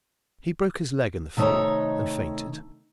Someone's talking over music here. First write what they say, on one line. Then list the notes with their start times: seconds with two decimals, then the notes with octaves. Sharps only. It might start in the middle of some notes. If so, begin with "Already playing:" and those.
He broke his leg in the fall, and fainted.
1.37 C3 D#3 A3 D#4 C#5